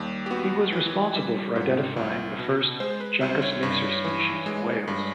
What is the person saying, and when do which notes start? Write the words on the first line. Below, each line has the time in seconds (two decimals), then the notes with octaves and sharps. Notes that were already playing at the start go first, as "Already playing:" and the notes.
He was responsible for identifying the first juncus macer species in Wales.
Already playing: D#2 G3
0.26 G4
0.31 B3 F#4
0.72 E3
1.14 G3
1.56 G#2
1.96 C2
2.39 B2
2.80 G#3 C5
3.00 B4
3.21 C2 C5
3.42 C#5
3.63 G2
4.04 E3
4.46 G#3
4.87 G2